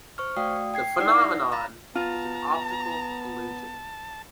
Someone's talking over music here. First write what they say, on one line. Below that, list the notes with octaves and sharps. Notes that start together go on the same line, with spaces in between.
The phenomenon is an optical illusion.
C5 C#6 F6
A3 F#4 D5 F5 G5 D#6
G5 G#6 C7
D#4 E4 D5 F#5 C7
A#6
F5 A#5 B5 A6 A#6
B3 F4 A5 A#5